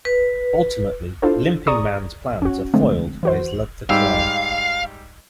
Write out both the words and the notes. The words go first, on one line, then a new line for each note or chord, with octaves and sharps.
Ultimately, Limping Man's plans are foiled by his love for Claire.
B4
D4 E4 F4 A4 C5
G#4 D5 A#5 C#6 D#6
C#4 F#4
D3 F3 G#3 A3 C4
E3 F#4 C5
G#2 G3 F5 E6